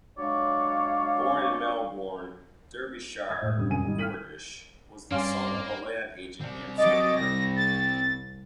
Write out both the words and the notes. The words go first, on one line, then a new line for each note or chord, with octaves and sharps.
Born in Melbourne, Derbyshire, Ordish was the son of a land agent and surveyor.
F#3 G#3 D4 C#5 D5 F5
E5 D#6 E6 G#6
A2 G#3
F#1 C3 G3 D4 D#6
E1 F#2 A#2 G#5 D#7
G#1 G3 D#4
F6 F#6 B6 D#7 F#7
G2 A#3 C#4 D5 F5 C6
C4 D5
F#3 D#5 D6 A6
C2 A#6
A6